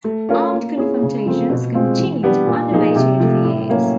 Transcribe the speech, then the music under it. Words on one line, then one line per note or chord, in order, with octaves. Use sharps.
Armed confrontations continued unabated for years.
A3
C#4 F4 A#4
A#3
C#4 E4 G#4
C#3
F3 A3 C4 F4
B2
G#3 C4 F4
E3
G3 B3 D4 G4
A#2
F3 A#3 D#4 G#4
C3
F3 A3
A2
F#3 A#3 C#4